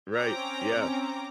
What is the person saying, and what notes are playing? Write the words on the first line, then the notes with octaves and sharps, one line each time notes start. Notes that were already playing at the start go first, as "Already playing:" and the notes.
Right, yeah.
C4 C#4 G5 A#5 D6